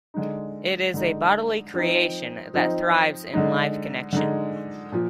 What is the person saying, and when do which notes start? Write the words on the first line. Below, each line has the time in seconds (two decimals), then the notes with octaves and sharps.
It is a bodily creation that thrives in live connection.
0.14 D3 G#3 D#4
0.94 D3 G#3 D#4
1.74 F3 C4 D#4
2.54 F3 C4 D#4
3.33 D3 G#3 D#4
4.13 D3 G#3 D#4
4.92 A#2 F3